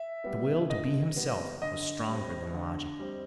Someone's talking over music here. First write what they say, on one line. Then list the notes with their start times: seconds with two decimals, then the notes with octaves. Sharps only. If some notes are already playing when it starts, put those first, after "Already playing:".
But the will to be himself was stronger than logic.
Already playing: E5
0.24 G3 B3
0.70 D3 D#5
1.16 G3 B3
1.62 D3 D#5
2.07 G3 C4
2.54 D3
2.99 G3 C4